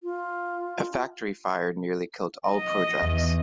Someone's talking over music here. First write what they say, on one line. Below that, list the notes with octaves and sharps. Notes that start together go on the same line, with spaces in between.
A factory fire nearly killed all projects.
F4
D#5
E2